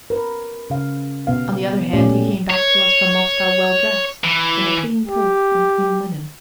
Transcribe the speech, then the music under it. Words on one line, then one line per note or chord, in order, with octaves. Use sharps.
On the other hand, he came back to us from Moscow well dressed, in a clean coat and clean linen.
A#4 B4
C#3 F5
B2 B3 F5
A#2 A3 C#4 G4 D5
C#5
E3
G4